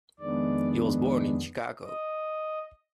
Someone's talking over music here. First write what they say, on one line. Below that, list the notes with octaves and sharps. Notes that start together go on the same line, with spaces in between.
He was born in Chicago.
F2 D#3 G#3 B3 D4 D5
D#5